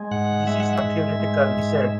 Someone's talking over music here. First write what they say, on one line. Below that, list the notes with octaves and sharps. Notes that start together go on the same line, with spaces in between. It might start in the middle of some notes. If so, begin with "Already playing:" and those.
"This is not theoretical", he said.
Already playing: G#3
G#2 F#5
G#3 E5
F#5
E5
G#2
G#3
G#2